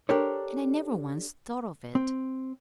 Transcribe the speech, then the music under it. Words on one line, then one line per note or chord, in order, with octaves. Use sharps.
"And I never once thought of it."
D4 G4 A4 A#4 C5 C#5
C4